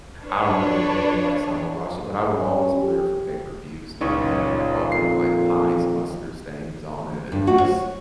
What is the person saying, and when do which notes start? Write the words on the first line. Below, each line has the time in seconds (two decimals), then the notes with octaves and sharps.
I don't remember when the last time I watched it but I would always wear it for pay-per-views, though, and it had, like, all kinda, like, Heinz mustard stains on it and just
0.23 D4 B4 C#5
2.34 C#4
2.75 G4
4.01 C#2 A#2 C#4 D#4 C#5
4.92 F2 C7
7.32 G2
7.47 F#4
7.61 C#5